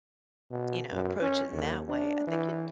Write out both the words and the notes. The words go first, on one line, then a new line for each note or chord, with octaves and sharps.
you know, approach it in that way, I think it
B2
F#2
C#4
D#2
D4
E3